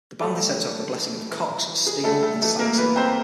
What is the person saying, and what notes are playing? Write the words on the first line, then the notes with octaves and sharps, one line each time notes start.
The band is said to have the blessing of Cox, Steele and Saxa.
G3 A3 A4
E3
E3
E3
E3
G#4
G3 A3 A4
A3 A4
E3 A3 A4
A#3 A#4
E3 B3 B4
C4 C5